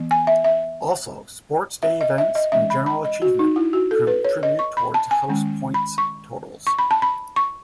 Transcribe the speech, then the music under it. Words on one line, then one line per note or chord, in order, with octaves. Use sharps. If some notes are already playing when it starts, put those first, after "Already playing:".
Also, sports day events and general achievement contribute towards house points totals.
Already playing: E3 B3
G#5
E5
E5
E5
D#5
E5
D#5
E3 G#3 C#4 E5
B5
B5
D#5
F#4
D#4
E4
F#4
A4
B4
C#5
D#5
C#6
B5
A5
G#5
D#3 G#3 C#4
B5
C#6
C#6
B5
A5
B5
C#6